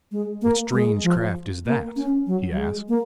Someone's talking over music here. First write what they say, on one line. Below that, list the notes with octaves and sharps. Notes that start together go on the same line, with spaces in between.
"What strange craft is that?" he asked.
G#3
A#3
G#3
F3
A#3
C#4
F#3
F#3
G#3
A#3